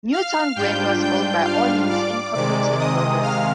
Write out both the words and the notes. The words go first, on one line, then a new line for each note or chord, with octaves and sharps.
Newtown Grant was built by Orleans, Incorporated builders.
F5 F6
G#2 G3 D4 F4 G5 G6
G5 G6
F5 F6
D5 D6
C3 D#3 G#3 D5 D6
D#5 D#6
F5 F6